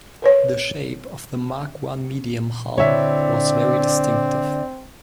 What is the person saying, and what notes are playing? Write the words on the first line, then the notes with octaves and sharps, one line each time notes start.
The shape of the Mark One Medium hull was very distinctive.
A#4 B4 C#5
D3 C4 E4 C#5 D5 E5